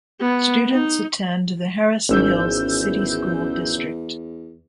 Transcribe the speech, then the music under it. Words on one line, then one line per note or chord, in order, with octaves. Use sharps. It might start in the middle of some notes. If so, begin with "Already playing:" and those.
Students attend the Harrison Hills City School District.
B3
D#4
G#1 E2 C#4 E6 G6